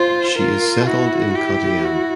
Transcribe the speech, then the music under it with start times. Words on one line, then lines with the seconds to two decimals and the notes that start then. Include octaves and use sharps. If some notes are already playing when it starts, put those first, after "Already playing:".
She is settled in Kottayam.
Already playing: F4 C5
0.38 F4 A#4
0.86 E4 F#4
1.35 E4 G4
1.84 F#4